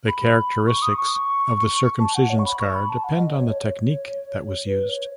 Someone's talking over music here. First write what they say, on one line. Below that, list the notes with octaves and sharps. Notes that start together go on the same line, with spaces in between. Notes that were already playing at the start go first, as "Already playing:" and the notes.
The characteristics of the circumcision scar depend on the technique that was used.
B5
C#6
D#6
C#6
A5
F#5
C#5
C#6
B5
C#6
B5
A5
F#5
D#5
C#5
C#5
C#5
B4
C#5